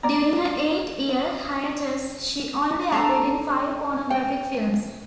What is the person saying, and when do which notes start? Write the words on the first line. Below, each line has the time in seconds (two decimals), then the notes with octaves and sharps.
During her eight-year hiatus she only appeared in five pornographic films.
0.03 D5 A#5
2.92 D4 A4 A#5
4.10 G5